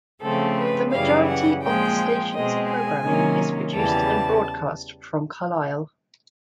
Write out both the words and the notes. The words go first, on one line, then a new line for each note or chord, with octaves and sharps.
The majority of the station's programming is produced and broadcast from Carlisle.
C#3 F3 A3 C4 A4
B4
F#2 C#3 E3 G3 F5
F#5
A#2 F3 G#3 C4 G5
B2 G#3 C4 D#5
G#5
C3 D#3 F#3 A#3 C#4
E2 C#3 E3 G3 A5